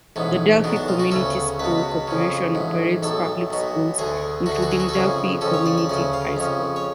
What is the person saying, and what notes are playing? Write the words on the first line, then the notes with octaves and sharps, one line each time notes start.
The Delphi Community School Corporation operates public schools, including Delphi Community High School.
A1 G#2 B3
B1 B2 D4
D4
F4
F#4
D2 C#3 A4
C#2 B2 B4
F2 C#3
A1 G#2
B1 A2 A4
B1 B2
D2 D3 G#4
D2 D3 F#4
G#4
F#4
G#4
F#4
A4
F2 C#3 G#4
F2 C#3 A4
C#5
D5
D5
D2 C#3 D5
F5
F2 C#3
C#5